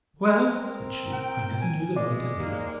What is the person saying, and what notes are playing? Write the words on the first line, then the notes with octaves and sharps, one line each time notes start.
Well, said she, I never knew the like of thee.
C4 A#4
G5
G#5
G#3 D5
D#2 A#3